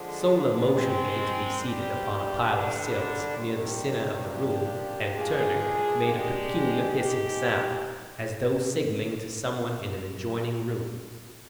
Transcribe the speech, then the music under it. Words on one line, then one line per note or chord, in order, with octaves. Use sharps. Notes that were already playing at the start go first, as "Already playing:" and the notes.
Sola motioned me to be seated upon a pile of silks near the center of the room, and, turning, made a peculiar hissing sound, as though signaling to someone in an adjoining room.
Already playing: D3 F3 G#3
D#3 G#3 C4
C3 G3 D4 G4
D3 G3 D4
C3 D#3 G3
F3 A#3 D4 G4
G#3 D4 F4 G#4
G#3 D4 G4
G#3 D#4 G4